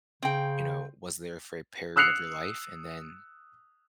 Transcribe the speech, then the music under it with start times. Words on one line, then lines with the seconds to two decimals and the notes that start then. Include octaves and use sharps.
you know, was there for a period of your life and then
0.22 C#3 C4 G5
1.96 D#6 E6 F#6 C7 C#7 F7